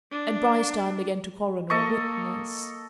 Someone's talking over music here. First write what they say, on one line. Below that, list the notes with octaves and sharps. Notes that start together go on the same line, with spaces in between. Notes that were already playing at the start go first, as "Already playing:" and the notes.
And Bryce turned again to Coroner and witness.
D4
A#3 A4 D#5 C#6